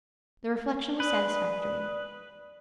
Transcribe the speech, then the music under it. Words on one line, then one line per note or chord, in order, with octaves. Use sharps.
The reflection was satisfactory.
B4 D5 D#6